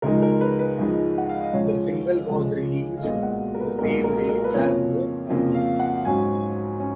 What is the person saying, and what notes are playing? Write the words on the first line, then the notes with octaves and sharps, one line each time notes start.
The single was released the same day as the album.
C#2 C#3 F3 G#3 D#4 A#4
A#4
B4
B4
C#2 C#3 F3 G#3 D#4
F#5
F5
D#5
C#2 C#3 F3 G#3 C#5
C#2 C#3 F3 G#3
F5
B1 A#2 G#3 B3 D#5
F#5
A#4
B4
B1 A#2 G#3 B3 A#4
A#4
A#4
B4
F2 C#3 F3 A#3 C#5
F2 C#3 F3 A#3
F5
F#5
G#2 F#3 C#4 G#5
C#4